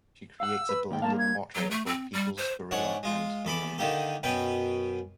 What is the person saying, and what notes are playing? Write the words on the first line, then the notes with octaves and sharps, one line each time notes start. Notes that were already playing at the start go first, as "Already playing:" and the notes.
She creates a blended portrait of both peoples-gorilla and human.
F5 F#5 E6
B4
D#2 G5
G2 A#3 F5 A5
G#6
F#3
A3
C4
G3
C5
G#2 D4 C#5 F#5
G#3 F4
E2 A4 B5 D6
D3 D#3 A#3 G4 A4
F#2 B2 B4 G5